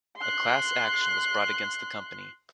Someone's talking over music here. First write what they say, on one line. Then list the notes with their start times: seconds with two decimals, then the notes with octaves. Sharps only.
A class action was brought against the company.
0.17 C6 F#6